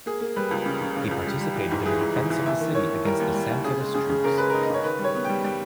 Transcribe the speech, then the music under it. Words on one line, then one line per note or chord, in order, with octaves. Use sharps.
He participated in the defence of the city against the Sanfedist troops.
A#3 G#4
A#3
G3 B4
C#2
C#3
C#3
C#3
C#2
G3
G3
E3
G#2
E3 G#4
G#2
G#2
E3
D#2 E5
D#3
D#3 C#5
D#3
G3 A#4
D#2
G3
D#2
C#3 G#4
G#3
C#3 G#4
C#3
C#3 A#4
G#3 B4
D#4 A#4
D#5
C#3 C#5
D#3 B4
G3
C#5
B3
G3 G5
G3 G5